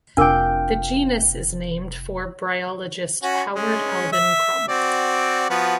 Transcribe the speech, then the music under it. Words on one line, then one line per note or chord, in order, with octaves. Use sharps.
The genus is named for bryologist Howard Alvin Crum.
F1 C3 D4 F4 A#4 G5 D6
C#4 F#4
G#3 C#4
E5
C4 F#4 D5
F3 B3 F#4